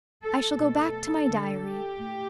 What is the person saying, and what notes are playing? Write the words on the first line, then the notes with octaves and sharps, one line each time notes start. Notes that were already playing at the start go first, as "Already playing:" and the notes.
I shall go back to my Diary.
A4
B2 A3 A4
D3 G3
G4
A2 A3